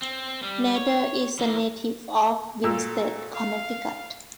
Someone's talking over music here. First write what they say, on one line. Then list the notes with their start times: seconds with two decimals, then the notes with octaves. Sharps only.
Nader is a native of Winsted, Connecticut.
0.02 C4
0.43 G3
0.76 C#5
1.39 E3 A#3
2.64 A#2 F#4 A4 E6
3.35 F5